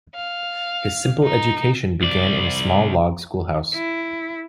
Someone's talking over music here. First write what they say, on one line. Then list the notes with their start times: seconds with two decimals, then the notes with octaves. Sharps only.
His simple education began in a small log schoolhouse.
0.16 F5
1.24 D#4
2.02 C2 D5
3.75 E4